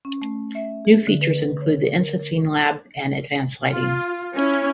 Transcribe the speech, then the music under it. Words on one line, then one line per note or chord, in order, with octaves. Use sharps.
New features include the Instancing Lab and advanced lighting.
C#4
A3
E5
G#4
D3
B4
C#5
A#4
F4
C#4 E4